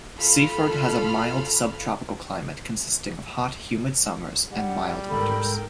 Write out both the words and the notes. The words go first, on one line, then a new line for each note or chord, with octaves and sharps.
Seaford has a mild subtropical climate consisting of hot, humid summers and mild winters.
F4 A4 B5 F6
G3 F#5
G#2 A4 A#4 G5 B5